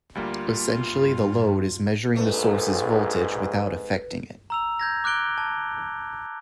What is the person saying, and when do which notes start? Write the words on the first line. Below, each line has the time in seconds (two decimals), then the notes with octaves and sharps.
Essentially, the load is measuring the source's voltage without affecting it.
0.15 D2 G3 A#3 F4
0.84 G2
2.16 A#1 G#2 A3 B4
4.50 A#5 E6 F7
4.80 G6 G#6 A#6
5.04 D6 F#6 G6 D7 G7
5.38 A5